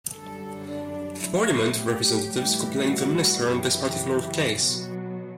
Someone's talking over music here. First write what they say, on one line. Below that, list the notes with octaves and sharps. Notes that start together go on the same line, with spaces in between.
The Parliament representatives complained to the minister on this particular case.
F#2 D3 G3 A4
D4
A2 F#3 E4
G4
A2 E3 G3 G4
F#4
F#2 C#3 E3 G4
B2 F#3 F#4